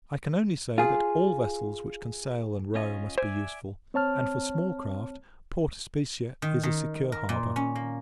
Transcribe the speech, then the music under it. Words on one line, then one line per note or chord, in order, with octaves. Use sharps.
I can only say, that all vessels which can sail and row must be useful; and, for small craft, Port Especia is a secure harbour.
F4 G#4
C#4 F4 D#5
C5 D5 E5 G#5
C4 C#5 A5 F6
D#3
D#3
A#4
A#2
C#4
A#3